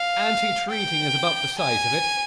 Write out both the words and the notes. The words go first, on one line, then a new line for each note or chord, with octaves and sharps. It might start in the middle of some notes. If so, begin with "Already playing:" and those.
Antitreating is about the size of it.
Already playing: F5
G5
G#5